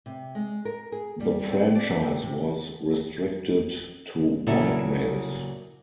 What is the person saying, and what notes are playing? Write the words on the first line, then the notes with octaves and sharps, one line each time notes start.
The franchise was restricted to "white" males.
C3
G#3
A#4
G#4
G3
C4
D5
G4
C3
A#2 C#3 F#3 E4 A4